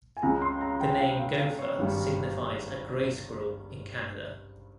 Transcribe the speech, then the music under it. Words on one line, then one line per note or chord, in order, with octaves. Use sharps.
The name gopher signifies a gray squirrel in Canada.
G#5
C#2 C#3 G#3 A#5
C6
A#5
G5
G5
F5
F5
F5
C#5
G#1 G2 G3